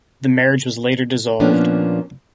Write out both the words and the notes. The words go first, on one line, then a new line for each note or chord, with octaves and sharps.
The marriage was later dissolved.
A#2 F3 A#3 B3 C#4 D4